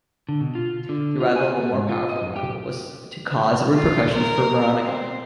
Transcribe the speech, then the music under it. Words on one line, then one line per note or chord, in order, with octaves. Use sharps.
The arrival of a more powerful rival was to cause repercussions for Veronica.
D3
B2
F4
D3
F4
G#5
A3
G#2
F4
D#5
F#2
G4
F4
A#4
C4